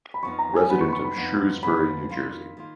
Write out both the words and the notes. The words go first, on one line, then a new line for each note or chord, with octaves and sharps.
Resident of Shrewsbury, New Jersey.
B5
F2 F3 B3 D#4 C#6
A#5
G#5
F2 F3 B3 D#4 B5
C#6
B5
C#6
B5
F2 F3 B3 D#4
F2 F3 B3 D#4 B5
F2 D#3 A#3 F4
D#3 A#3 F4